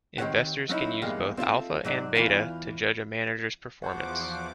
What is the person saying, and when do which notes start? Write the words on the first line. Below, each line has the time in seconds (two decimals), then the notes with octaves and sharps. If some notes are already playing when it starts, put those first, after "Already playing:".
Investors can use both alpha and beta to judge a manager's performance.
0.18 D#3 C4 G4 C#5 F#5
0.69 F#3 C#4 D#4 E4
1.02 E2 G2 G#3 A#3
1.37 C4 F4 A4 E5
1.85 G#2 F#3 D5
2.15 E2 E3 F4 F5 A#5
3.83 E2 F3 F#4 C5 F#5 D6